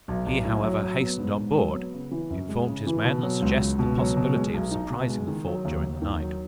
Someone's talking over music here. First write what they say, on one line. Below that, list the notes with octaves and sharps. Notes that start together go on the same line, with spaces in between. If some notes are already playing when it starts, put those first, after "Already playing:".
He, however, hastened on board, informed his men, and suggested the possibility of surprising the fort during the night.
B1
B1
A2
F#3
F#3
B3
G#2
G#2
F#3
B3
C#3
E3
F#2
G#3
C#3
E3
B2
F#3
C#2
C#2
B2
F#3
B2
G#3
B1
D#4
B2
G#3
D#3
F#3
D#2
D#2
D#3
F#3